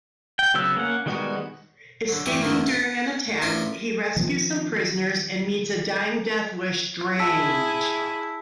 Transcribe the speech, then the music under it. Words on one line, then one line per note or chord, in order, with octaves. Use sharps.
Escaping during an attack, he rescues some prisoners and meets a dying Deathwish Drang.
G5
C#3 F#3 B3 E6
A#3 C#4 F#5
D#3 G3 G#3 B3 F#4
D3 F#3
E3 G3 A3 G4 A4
E2 D3 D#3 A3 A#3
F5 F#5 A5
A1 D4 F4 A#4 D#5 B5
D#3 F3 B3
E4 G#4 A5 E6 B6